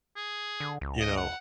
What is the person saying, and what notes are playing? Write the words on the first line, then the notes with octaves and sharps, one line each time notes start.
You know
G#4
D3
C#2
D#5
F#5